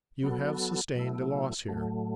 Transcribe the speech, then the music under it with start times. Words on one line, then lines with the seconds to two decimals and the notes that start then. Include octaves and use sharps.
You have sustained a loss here.
0.23 F#3 B3 F#4 A4
0.95 B2 F#3 A3 E4
1.69 A2 F#3 A3